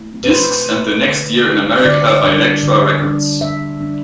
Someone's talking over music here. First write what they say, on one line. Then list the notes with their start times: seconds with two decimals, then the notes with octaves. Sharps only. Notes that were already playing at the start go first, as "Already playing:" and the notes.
Discs and the next year in America by Elektra Records.
Already playing: A3 E4
0.24 B4
0.28 B2 C5
0.67 A3 E4
1.07 D3
1.46 G3 D4
1.85 D3 D5
2.23 G3 D4
2.63 D3
3.02 G3 D4
3.41 D3 E5
3.81 G3 D4